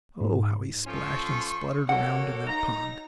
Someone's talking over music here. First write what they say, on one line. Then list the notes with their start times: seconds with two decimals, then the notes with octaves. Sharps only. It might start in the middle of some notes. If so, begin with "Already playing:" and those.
Oh, how he splashed and spluttered around in that pond!
0.21 G#2
0.87 F3 C#4 A4 C6 C#6
1.89 A#3 F#4 A4 C#5 F#5
2.47 D#4 A#5